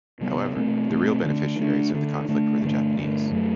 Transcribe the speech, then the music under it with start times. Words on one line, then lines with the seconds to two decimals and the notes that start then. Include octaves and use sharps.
However, the real beneficiaries of the conflict were the Japanese.
0.21 C3 G3 B3
0.55 B2 A3 C4
0.90 B2 A3 C4
1.25 D3 A3 D4
1.59 D3 A3 D4
1.94 D3 A3 D4
2.28 D3 A3 D4
2.62 G2 D3 A3
2.97 G2 D3 A3
3.31 F#2 F#3 A3